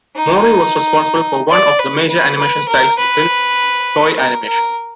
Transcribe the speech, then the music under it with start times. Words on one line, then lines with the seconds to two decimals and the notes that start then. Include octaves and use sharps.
Mori was responsible for one of the major animation styles within Toei Animation.
0.16 D#4
1.50 D5
1.79 B4
2.09 B4
2.39 B4
2.68 A#4
2.98 B4
4.17 A#4
4.47 A#4